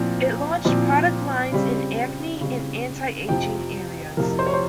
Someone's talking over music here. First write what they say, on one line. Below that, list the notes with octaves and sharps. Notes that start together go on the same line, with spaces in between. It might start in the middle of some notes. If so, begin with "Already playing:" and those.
It launched product lines in acne and anti-aging areas.
Already playing: A#2 F3 C4
A#2 F3 C4
C#3 G3 C4
C#3 G3 C4
F2 C3 F3 G5
F2 C3 F3 A#4
C5
C#5
C5